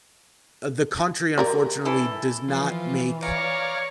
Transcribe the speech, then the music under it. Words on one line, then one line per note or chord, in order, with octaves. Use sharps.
uh, the country, unfortunately does not make,
G4 A#4 D5
E3 A4
E3 F3
C#5 D5 F5 A#5